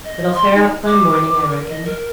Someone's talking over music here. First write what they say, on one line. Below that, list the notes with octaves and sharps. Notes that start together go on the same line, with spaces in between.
It'll fair up by morning, I reckon.
D#5
C6
D#4
D6
A#4
D#5
A#4